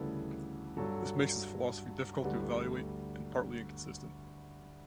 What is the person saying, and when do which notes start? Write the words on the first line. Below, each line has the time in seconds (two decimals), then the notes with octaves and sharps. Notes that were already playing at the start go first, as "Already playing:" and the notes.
This makes his philosophy difficult to evaluate and partly inconsistent.
Already playing: D2 C#3 E3 G3 A4 B4
0.77 G2 F#3 A4
2.22 D2 D3 G3 B4